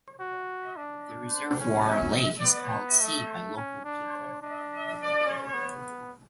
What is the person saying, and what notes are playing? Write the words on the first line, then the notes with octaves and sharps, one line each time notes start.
The reservoir lake is called "sea" by local people.
F#4
D4
C#4
B3
A3
C#4
D4
D4
C#4
B3